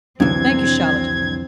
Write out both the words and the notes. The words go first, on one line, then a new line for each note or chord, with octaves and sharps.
'Thank you, Charlotte.
C2 F2 D3 E3 F#3 C4 G#6